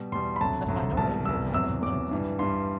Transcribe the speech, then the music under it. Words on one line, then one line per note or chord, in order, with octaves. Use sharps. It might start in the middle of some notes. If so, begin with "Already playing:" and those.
The final rates were per the following table.
Already playing: B2 G3
E2 B2 G3 C6
B5
D2 C3 F#3 A5
D2 C3 F#3
C2 B2 G3 A5
C2 B2 G3 E6
E2 C3 F#3 E6
E2 C3 F#3 D6
G2 E3 G3
G2 E3 G3 C6